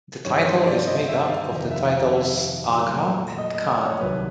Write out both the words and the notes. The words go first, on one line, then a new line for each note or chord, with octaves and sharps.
The title is made up of the titles agha and khan.
G2 D#3 G3 C#5
C5
D5
D#5
E5
E5
F5
F2 C3 D#3
E5
F5
E5
A#2 F#3 A3
D#5
D#5
D5
C#5
C2 C3 D#3 F#3 B4